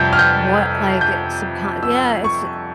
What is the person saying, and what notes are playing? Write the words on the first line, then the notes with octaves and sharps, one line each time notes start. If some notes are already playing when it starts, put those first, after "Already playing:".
what, like, uh, subcon yeah, it's
Already playing: F2 C3 G3 G6
F6
G6
G6
E6
C#6